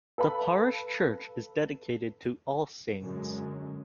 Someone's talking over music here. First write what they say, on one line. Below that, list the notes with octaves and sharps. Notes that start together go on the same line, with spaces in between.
The parish church is dedicated to All Saints.
A4 B4 F5 B5
F#2 D3 G#3 C#4